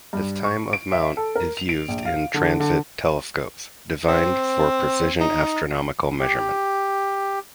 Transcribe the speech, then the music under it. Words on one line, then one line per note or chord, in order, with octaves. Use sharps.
This type of mount is used in Transit telescopes, designed for precision astronomical measurement.
G2
C#6
D7
E5
A4
A#4
F7
D7
A#1
F5
D3
D3
C4
D#4
G4